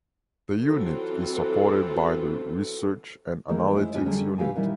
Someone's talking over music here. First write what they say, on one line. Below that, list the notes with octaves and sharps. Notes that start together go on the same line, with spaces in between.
The Unit is supported by the Research and Analytics Unit.
E3 F#3 C4 F4 A4
D#3 E3 G#3 A#3
G#3 E4 C5
G#3 C#4 F#4 G4 B4 D#5
D3 F#3 G3 G4 G#4
E3 G4 F5 G#5
A#2 D#3 G3 E4